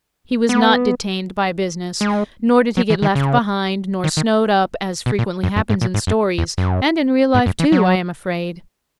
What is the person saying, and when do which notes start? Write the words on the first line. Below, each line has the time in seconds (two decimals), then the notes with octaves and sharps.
He was not detained by business, nor did he get left behind nor snowed up, as frequently happens in stories, and in real life too, I am afraid.
0.49 B3
2.01 G#3
2.77 F#3
2.90 E3
3.02 D#3
3.15 C#3
4.04 D#3
4.17 D#3
5.06 B2
5.19 A#2
5.43 F#2
5.56 F#2
5.70 G#2
5.81 A#2
5.94 G#2
6.07 F#2
6.38 E2
6.58 F#2
7.35 G#2
7.46 F#2
7.60 E3
7.72 F#3